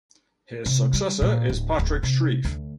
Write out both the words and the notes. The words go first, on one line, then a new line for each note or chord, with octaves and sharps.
His successor is Patrick Streiff.
C3
G3
A#2
D1
D1
C3
D2